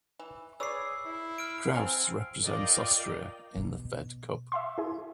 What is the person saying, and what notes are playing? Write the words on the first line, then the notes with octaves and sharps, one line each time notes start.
Kraus represents Austria in the Fed Cup.
E3
G#4 B4 C#5 D5 E6 C7
E4
F6 D7
F3 C4 F5 G#5
F4 A#4 D5 D#5 F5 G5
B2
E5 F5 C6
E4 G#4